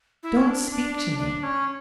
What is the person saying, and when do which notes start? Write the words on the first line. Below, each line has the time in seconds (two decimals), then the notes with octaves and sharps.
Don't speak to me.
0.23 E4
0.37 C#4
0.47 D4
0.71 D4
0.95 D4
1.19 D4
1.43 C#4